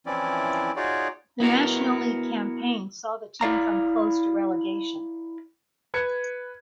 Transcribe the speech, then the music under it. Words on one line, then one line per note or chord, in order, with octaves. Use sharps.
The National League campaign saw the team come close to relegation.
E3 F3 C4 C#4 E4 D5
D#4 F4 F#4 G#4 C#5 D5
B3 E4 F#4 A#4
E4 D5 F5 A#5
B4 G#6 C#7